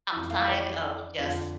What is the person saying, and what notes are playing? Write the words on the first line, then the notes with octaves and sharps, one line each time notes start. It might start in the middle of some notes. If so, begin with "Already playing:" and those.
outside of just
F2 E3
F5
C#5
D5
F2 D3 F3